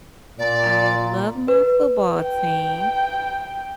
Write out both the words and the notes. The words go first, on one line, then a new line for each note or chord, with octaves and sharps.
I love my football team.
A#2 D5
B4
G5